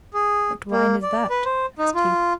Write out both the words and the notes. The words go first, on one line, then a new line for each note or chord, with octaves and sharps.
"What wine is that?" asked he.
G#4
A#3
D5
B4
C5
D#4
F4